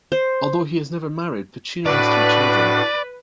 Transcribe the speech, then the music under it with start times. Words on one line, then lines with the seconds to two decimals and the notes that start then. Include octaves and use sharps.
Although he has never married, Pacino has three children.
0.12 C5
1.86 A2 D4 F#4 B4 D5